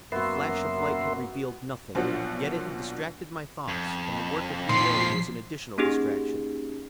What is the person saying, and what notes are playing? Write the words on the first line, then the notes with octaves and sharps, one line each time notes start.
The flash of light had revealed nothing, yet it had distracted my thoughts, and the work of reloading was an additional distraction.
F#2 A#3 B3 F#4 A#4 E5 C6
B1 A#2 F3 D4 F#4
F2
A#2 F3 C6 B6 C7
A#3 C#4 D#4 G4 G#4